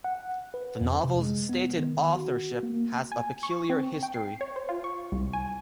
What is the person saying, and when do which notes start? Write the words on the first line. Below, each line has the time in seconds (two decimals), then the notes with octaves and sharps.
The novel's stated authorship has a peculiar history.
0.04 F#5
0.54 B4
0.81 F2
1.04 C3
1.19 G#3
1.49 B3
1.78 D#3
2.16 F#4
2.63 A#3
3.12 G#5
3.43 C#6
3.70 C4
4.03 G5
4.14 C7
4.41 C#5
4.56 C5
4.69 F4
4.84 C#6
5.12 C2
5.33 G#5